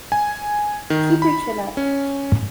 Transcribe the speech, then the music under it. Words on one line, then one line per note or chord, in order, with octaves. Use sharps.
Keep your chin up.
G#5
D#3
B5
C#4